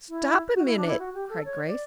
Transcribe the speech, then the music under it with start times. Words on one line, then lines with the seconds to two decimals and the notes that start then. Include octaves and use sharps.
"Stop a minute!" cried Grace.
0.09 E4
0.54 F#4
0.66 E4
0.77 D4
0.88 E4
0.99 F#4
1.14 G4
1.29 A4
1.45 C#5
1.67 D5